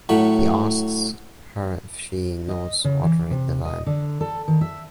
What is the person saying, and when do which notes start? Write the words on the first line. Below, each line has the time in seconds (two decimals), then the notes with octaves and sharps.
He asks her if she knows Audrey Devine.
0.09 A2 F#3 B5
2.48 D#5
2.85 C#3
3.03 E3
3.31 C3
3.65 D#5
3.86 D3
4.21 A4
4.48 D#3
4.61 E5